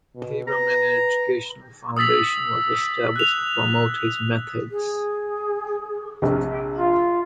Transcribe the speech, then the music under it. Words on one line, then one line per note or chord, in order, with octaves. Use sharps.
The Haberman Educational Foundation was established to promote his methods.
B2
B4 A#5
D#6 E6 A6 B6 F#7
F#6 F7
G#4
A#1 C3
F4